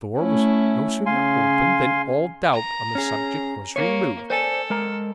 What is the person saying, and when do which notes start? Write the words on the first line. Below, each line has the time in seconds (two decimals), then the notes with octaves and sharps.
The door was no sooner opened than all doubt on the subject was removed.
0.19 A3 C#4 E4
1.06 C#3 F5 G#5 C6
2.52 A#5
2.95 C#4 G#4
3.76 A#3 C#5
4.30 A4 C5 D5 G#5
4.70 G#3 A#4 A#5